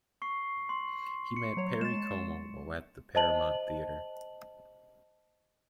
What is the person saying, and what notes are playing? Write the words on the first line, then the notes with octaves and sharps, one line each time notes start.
He met Perry Como, while at the Paramount Theater.
C#6 C7
C6
C#7
F#3 C#5
G#3 A6 E7
C5 D#5 A5 F#7